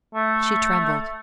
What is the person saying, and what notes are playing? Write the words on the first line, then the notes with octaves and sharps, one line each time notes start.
She trembled.
A3